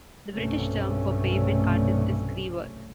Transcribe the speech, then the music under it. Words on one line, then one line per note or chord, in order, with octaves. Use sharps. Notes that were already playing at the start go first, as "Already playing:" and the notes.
The British term for pavement artist is "screever".
B1 G2 C3 A3 C#4